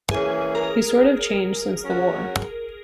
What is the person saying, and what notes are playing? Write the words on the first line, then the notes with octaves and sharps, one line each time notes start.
He's sort of changed since the war.
E3 A#3 C#4 G#4
A#4
F#3 C#4 F#4